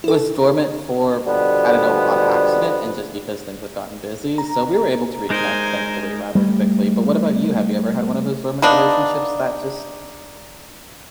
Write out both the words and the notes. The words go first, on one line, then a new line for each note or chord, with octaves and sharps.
was dormant for, I don't know, on accident and just because things have gotten busy. So, we were able to reconnect, thankfully, rather quickly. But what about you? Have you ever had one of those dormant relationships that just
E4 A4
B2 D3 F3 G3 B3
A#5
G#3 D#4 A#4 C5 G#5
G3 A3
A#3 B3 D4 D#4